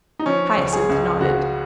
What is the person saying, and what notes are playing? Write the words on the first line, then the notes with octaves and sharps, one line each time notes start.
Hyacinth nodded.
D#4
F3 C#4
C#2
G#4
C#2
C#3 F#4